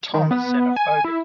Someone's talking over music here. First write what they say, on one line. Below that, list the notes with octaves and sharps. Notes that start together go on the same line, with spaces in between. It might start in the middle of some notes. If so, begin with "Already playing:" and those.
Tom is xenophobic.
D#3
B3
G#5
E4